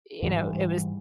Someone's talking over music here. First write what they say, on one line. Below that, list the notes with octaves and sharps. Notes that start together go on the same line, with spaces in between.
you know, it was
G#2 E3 G3